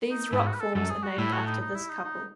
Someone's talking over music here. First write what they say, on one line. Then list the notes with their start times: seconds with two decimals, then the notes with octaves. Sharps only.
These rock forms are named after this couple.
0.11 D#4
0.32 G#2 E4
0.46 F#4
0.54 B4
0.61 A4
0.75 F#2 A4
0.89 G#4
1.03 F#4
1.18 A2 E4
1.33 F#4
1.47 D#4
1.61 D#4
1.75 E4
1.90 D#4
2.04 D#4